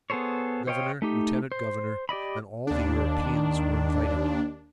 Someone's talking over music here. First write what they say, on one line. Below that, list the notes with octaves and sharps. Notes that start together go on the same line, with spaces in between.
The Governor, Lieutenant-Governor, and all the Europeans were invited.
B3 G#4 A4 C5 C#5
C5 C#5 D#5 F5 G5
A3 D#4 G4
C5
G4 D5 D#5 B5
D#2 D4